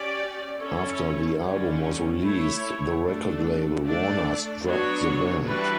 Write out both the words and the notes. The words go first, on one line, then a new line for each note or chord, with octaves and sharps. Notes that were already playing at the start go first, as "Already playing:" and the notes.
After the album was released the record label, Warners, dropped the band.
Already playing: C#4 G4 D5
C#4 E4 A4 C#5
D3 G3 C#4
A3 E4 A4 C#5
A3 D4 A4
A3 D4 A4 D5
F#3 B3 D4 F#4 C#5
E3 G3 D4 F#4 B4